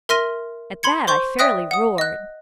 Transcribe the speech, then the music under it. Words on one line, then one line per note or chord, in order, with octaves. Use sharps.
At that I fairly roared.
A#4 E5 C6 F6 A#6 D#7
B5 C6 G#6 C#7
C5 C6 C#6 G6
D5 E5 G5 D#6 F#6 A#6
F#5 D#6
D#5 F#6